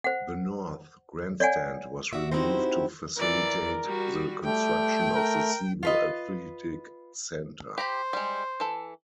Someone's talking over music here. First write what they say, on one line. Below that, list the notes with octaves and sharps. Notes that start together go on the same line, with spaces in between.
The north grandstand was removed to facilitate the construction of the Sebo Athletic Center.
C5 F#5
C#5 D5 F#5 G#5
F#4 D5 E5
C4 D#4 E4 F#4 G4 C5
E3 A#4 D5
G3 F#4
G3 A3 G5
A#4
F4 B4 D#5
G4 C5 A#5 B5
G3 G#3
E3 A4